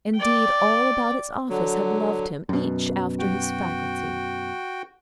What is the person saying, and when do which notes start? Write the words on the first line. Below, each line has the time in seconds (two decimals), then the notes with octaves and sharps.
Indeed, all about its office had loved him, each after his faculty.
0.15 D5 G5
1.49 D3 F#3
2.49 F#2 B2
3.19 F#4 G5